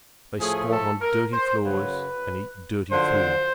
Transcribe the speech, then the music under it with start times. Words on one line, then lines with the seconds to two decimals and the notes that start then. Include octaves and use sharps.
They squat on dirty floors and eat dirty food.
0.39 A2 F3 A3 G#4
0.70 A4
1.01 A#4
1.33 C5
1.64 F#2 C#3 F#3 B4
2.90 F#2 D3 F3 C5